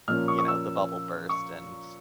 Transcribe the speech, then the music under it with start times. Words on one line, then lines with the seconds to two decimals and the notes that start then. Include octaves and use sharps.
you know, the bubble burst and
0.08 A#2 F3 A#3 C#4 F6
0.28 C#6
0.38 C#6
0.48 E6
1.29 C#6